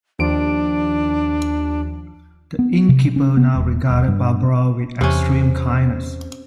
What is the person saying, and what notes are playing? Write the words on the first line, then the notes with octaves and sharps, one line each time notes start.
The innkeeper now regarded Barbara with extreme kindness.
D#2 F3 D4 D7
B3
C3
C#4
B3
E1
D#1
G2
E2 C3 C#4